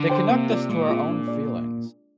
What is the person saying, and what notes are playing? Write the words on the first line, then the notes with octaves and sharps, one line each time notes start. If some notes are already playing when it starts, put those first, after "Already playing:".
They connect us to our own feelings.
Already playing: D3
C5 G5
C3 A#3
F4 A#4 D5
A#2 G#3
C4 F4 G#4
D4
G#4 D5